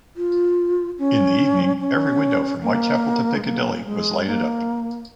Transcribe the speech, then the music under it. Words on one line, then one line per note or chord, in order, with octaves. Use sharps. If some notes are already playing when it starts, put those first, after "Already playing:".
In the evening every window from Whitechapel to Piccadilly was lighted up.
F4
C#4
C#4
A#3
G#3
A#3
G#3
A#3